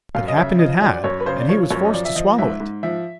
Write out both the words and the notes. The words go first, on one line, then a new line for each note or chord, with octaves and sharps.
But happened it had, and he was forced to swallow it.
F#2 F5
D#5
C#3 E5
F3 D#5
F#2 D5
D5
F#2 C#5
B4
C#3 C5
D5
F3 C#5
F#2 C#5
D#5
F3 D5
E5
F3 D#5
G#2 E5
G#2
F3 E5